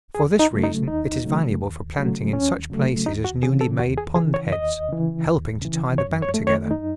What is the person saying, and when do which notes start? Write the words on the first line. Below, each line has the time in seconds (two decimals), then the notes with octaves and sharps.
For this reason it is valuable for planting in such places as newly-made pond-heads, helping to tie the bank together.
0.15 D#2 G#4
0.39 D#4
0.51 C#3 F#3 A3
0.63 D#4
0.88 D#2 D#4
1.24 C#3 F#3 A3
1.61 D#2
1.97 C#3 F#3 A3
2.33 D#2 C#4
2.70 C#3 F#3 A3
3.06 D#2 D#4
3.25 F#4
3.43 C#3 E3 G#4
3.61 A4
3.79 D#2 F#4
3.97 G#4
4.15 C#3 E3 G#4
4.34 C#5
4.52 D#2 D#5
4.88 C#3 E3
5.25 D#2
5.62 C#3 E3
5.98 F#2 C#5
6.22 C#5
6.34 A3
6.39 D#3
6.47 C#5
6.71 F#2 D#4